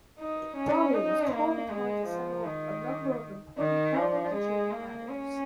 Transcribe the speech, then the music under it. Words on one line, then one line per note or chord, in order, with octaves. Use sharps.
Bromley was called upon to settle a number of important parliamentary matters.
D#4
C#4
D#4
A#3
G#3
F3
D#3
D#3
F3
G#3
A#3
C#4